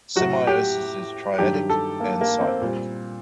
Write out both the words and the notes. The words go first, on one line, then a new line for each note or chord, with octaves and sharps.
Semiosis is triadic and cyclic.
A2 F#3 F#4
G4
G2 D#3 F#3 G4
A4
A#3
A#3
C4
A#2 G3